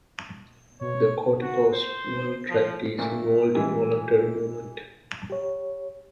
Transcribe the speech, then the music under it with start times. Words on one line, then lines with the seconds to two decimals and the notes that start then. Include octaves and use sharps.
The corticospinal tract is involved in voluntary movement.
0.81 B2 C#5
1.42 F#4
1.73 C5
2.49 F3
2.98 A#2 A3 A#3
3.55 E3 G3 G#3
5.30 G4 C#5